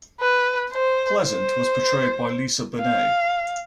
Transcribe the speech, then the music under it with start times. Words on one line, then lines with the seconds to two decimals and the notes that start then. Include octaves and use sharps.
Pleasant was portrayed by Lisa Bonet.
0.21 B4
0.73 C5
1.25 C5
2.81 F5